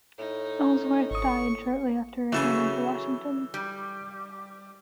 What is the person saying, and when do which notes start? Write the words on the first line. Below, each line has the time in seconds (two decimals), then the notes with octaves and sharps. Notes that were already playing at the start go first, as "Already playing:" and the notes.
Ellsworth died shortly after returning to Washington.
0.19 A2 D#4
1.11 G#1 C#6 D#6
2.32 C#3 E3 F#3 A4 G#5
3.54 G3